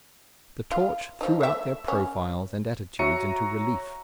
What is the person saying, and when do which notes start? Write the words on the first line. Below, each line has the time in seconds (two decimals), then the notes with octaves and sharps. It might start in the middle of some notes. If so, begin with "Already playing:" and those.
The torch threw out their profiles and attitudes into relief.
0.72 F4
1.21 F3 D#4
1.41 A3 E5
1.88 C#4
2.99 F#4 C#5 E5 A#5 C#7 D#7